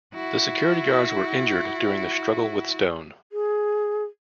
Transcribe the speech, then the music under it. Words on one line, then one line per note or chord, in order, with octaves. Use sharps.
The security guards were injured during the struggle with Stone.
E4 F#4
G#4